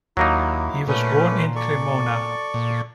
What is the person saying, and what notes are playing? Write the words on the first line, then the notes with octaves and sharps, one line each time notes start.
He was born in Cremona.
D#2 F#3 A#3 D#4 E4
A#2 A3 C#4 B4
A4 D5 C#6
A#2